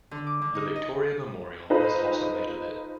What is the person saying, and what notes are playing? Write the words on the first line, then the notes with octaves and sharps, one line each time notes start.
The Victoria Memorial is also made of it.
D3
D6
D3
D#4
D#5
D#4 F4 A4 B4 C5 D#5